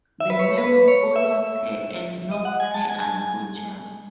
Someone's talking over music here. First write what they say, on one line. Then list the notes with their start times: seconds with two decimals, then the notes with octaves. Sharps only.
The Meme follows her and knocks her unconscious.
0.20 E5
0.30 B4
0.39 C#5
0.58 B4
0.88 C#5
1.16 E5
2.31 D#5
2.45 F#5
2.60 G#5
2.74 A5
2.90 G#5